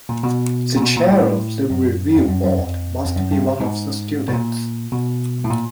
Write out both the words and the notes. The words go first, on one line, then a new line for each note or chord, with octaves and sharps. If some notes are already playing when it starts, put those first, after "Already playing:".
The chair of the Review Board must be one of the students.
A#2
B2
A#2
B2
A#2
A2
F#2
F2
F#2
F#2
F2
F2
F#2
G2
G#2
B2
A#2
B2
A2
A#2